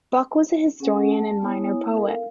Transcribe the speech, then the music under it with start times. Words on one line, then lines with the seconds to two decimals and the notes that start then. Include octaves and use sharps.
Buck was an historian and minor poet.
0.80 C#4 G#4 A4 F#5 G#5
1.11 A5
1.42 B3 E4 C#5 G#5 D#6
1.95 A4 A#4 F5